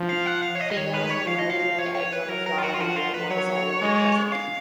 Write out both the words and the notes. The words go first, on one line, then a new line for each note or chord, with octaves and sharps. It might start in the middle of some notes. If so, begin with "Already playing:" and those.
Females will rarely lay eggs on a flower head where one is already present.
Already playing: F3
F5
F#5
F5
C#5
D#5
D#5
D#3 C#5
B4
C#5
F3 F5
D#5
F5
C#5
C#5
B4
F#3 A#4
A#4
F4
F#4
F4
F3 F#4
F4
B4
F#3 C#5
G#3
F5